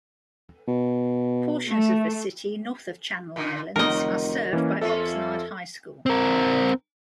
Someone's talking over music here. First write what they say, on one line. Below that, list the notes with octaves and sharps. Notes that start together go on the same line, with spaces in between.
Portions of the city north of Channel Islands are served by Oxnard High School.
B2
A3
A#2 D3
F1 D3 F#3 A#4 D#5
E3 A#3 C#4
F2 A#3 C#4 F4 A4 E5
C4 A#4